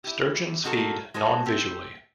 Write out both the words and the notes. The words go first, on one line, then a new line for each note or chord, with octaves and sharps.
Sturgeons feed non-visually.
E4 G4
C3 G#3 F#4 A4 A#4
G#3 F#4 G#4 A4 C5
C4 G4